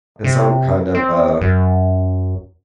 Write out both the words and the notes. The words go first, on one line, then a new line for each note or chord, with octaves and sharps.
'cause I'm kind of a
C3
C4
F#2